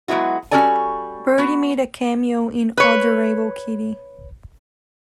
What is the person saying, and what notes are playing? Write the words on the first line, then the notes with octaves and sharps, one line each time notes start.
Bertie made a cameo in "Odor-able Kitty".
F#3 G#3 B3 E4 F#4
G3 C#4 F#4 A4 D5 G#5
B3 F#4
B4 C#5